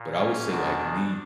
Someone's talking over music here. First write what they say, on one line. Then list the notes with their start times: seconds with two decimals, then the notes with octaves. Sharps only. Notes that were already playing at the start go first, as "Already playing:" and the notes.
but I would say like me,
Already playing: A#2
0.14 C#4
0.46 E2 B2 D4